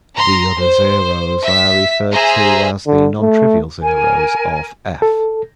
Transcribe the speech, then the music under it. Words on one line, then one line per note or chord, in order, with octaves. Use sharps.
The other zeroes are referred to as the non-trivial zeroes of "F".
A#5 C6
C5
E5 B6
G#4 C5 E5 A#5
D3
A3
A#4 G#5
A4